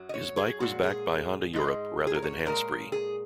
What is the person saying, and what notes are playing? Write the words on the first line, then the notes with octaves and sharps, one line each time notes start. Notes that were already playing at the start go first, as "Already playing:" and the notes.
His bike was backed by Honda Europe rather than Hannspree.
Already playing: F#2 F#3
D#5
C#5
G#4
A#2 G#3 F#4
G#4
G#2 G#3
G#4
A#4
C#5
A#2 G#3 A#4
G#4